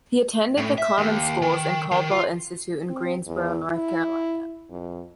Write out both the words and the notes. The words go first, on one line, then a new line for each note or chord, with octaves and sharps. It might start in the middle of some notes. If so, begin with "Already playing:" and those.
He attended the common schools and Caldwell Institute in Greensboro, North Carolina.
A2
E5
D#2
D#3
D#3
F4
C4
E2
E4
F2